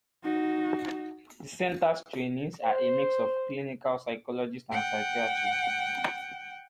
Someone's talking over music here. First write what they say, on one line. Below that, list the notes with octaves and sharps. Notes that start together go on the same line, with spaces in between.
The center's trainees are a mix of clinical psychologists and psychiatrists.
D#4 F#4
C5
F#5 G5